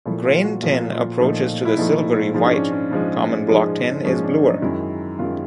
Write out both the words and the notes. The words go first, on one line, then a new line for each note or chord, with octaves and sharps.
Grain tin approaches to the silvery white. Common block tin is bluer.
A#2 F3 A3 E4
F4
F#4
A#2 F3 A3 F4
F4
A#2 F3 A3 D#4
E4
A#2 F3 A3 D#4
G#2 F3 G#3
D4
C#4
C#4
G#2 F3 G#3
G#2 F3 G#3
G#2 F3 G#3 C#4
D4
D#4
F#2 D#3 G#3 E4
F#2 D#3 G#3 F4